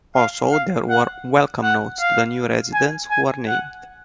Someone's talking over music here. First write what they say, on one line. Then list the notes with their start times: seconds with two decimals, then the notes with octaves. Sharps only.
Also there were welcome notes to new residents who were named.
0.16 F5
0.52 F5
0.90 F#5
1.63 F#5
2.00 F5
2.74 G#5
3.10 G#5
3.47 F#5